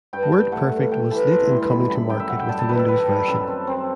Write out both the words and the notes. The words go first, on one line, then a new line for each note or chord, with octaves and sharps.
WordPerfect was late in coming to market with a Windows version.
G2 G5
A5
G2 G5
A3 F#5
G2
A3 G5
E3 A5
A3 C6
G2
D#3 B5
F#2 B5
F#2 G5
E5
F#2 F#5
G5
G3 A5
A5
D#3 B4
A4
D#3 B4
G3
F#2 A4
C4
C4